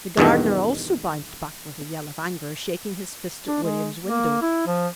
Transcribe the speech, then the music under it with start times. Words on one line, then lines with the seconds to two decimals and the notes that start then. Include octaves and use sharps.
The gardener also bounced back with a yell of anger, shaking his fist at William's window.
0.17 E2 G2 B2 D#3
3.48 D4
3.63 G#3
4.06 A#3
4.42 E4
4.67 F3